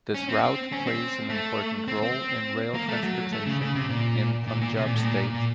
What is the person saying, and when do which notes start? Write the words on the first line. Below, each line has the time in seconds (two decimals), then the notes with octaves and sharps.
This route plays an important role in rail transportation in Punjab state.
0.14 C#4
0.29 C4
0.73 C#4
0.87 C4
1.30 A3
1.88 C4
2.02 C4
2.74 A#3
2.89 A3
3.03 F#3
3.32 A3
3.47 C#3
3.61 C#3
3.75 C3
3.90 A#2
4.47 A#2
4.61 A#2
4.76 C3
4.86 A#2
4.95 A2
5.04 A#2
5.34 A#2